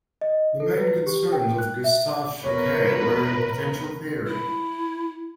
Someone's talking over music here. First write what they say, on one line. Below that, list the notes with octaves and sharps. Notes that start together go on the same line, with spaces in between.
The main concerns of Gustave Choquet were in potential theory.
D#5
A4
B4
G4
G5
F#6
E5
E2 A#4 B4 C#5
E4